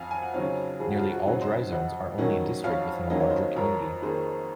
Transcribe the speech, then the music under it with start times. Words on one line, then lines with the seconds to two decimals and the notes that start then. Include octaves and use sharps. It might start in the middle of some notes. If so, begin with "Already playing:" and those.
Nearly all dry zones are only a district within a larger community.
Already playing: F2 F5 G#5
0.11 G#5
0.22 F#5
0.34 C#3 F#3 C4 D#4 C#5 F5
0.80 F2 G#4
0.89 F#4
0.98 F4 G#4
1.10 F#4
1.26 C#3 F#3 C4 D#4
1.41 C5 D#5
1.72 F2 D#5 F#5
2.18 D#3 F#3 A#3 C#4 D#5 F#5
2.64 F2 C#5 F5
3.10 D#3 F#3 A#3 C#4 D#5
3.20 C#5
3.30 C5 D#5
3.56 F2 A#4 C#5
4.02 D#3 A#3 D#4 G#4 C5